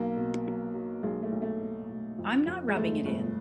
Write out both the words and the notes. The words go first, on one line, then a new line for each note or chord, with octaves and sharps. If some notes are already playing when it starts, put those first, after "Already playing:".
I'm not rubbing it in.
Already playing: B1 A#3
B2
F#3
F#3
B1 G#3
A3
B1
A3
B2
B1
F2
F2
G#3
G1 A3
G1